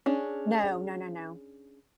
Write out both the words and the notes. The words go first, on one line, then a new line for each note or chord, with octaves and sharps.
No. No, no, no.
C#4 D4 G#4